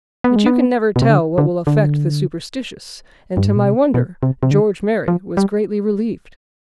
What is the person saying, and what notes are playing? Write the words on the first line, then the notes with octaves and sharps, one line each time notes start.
But you can never tell what will affect the superstitious, and to my wonder, George Merry was greatly relieved.
B3
G#3
B3
B2
C3
D3
D3
D3
G2
G#2
B2
C3
B2
C3
C3
D3
F3
G3